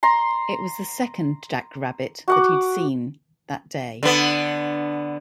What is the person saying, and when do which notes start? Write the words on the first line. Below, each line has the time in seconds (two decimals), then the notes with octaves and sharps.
It was the second jack rabbit that he had seen day.
0.03 A#5 C6
2.28 F#4 F#5 D6
4.03 D3 B3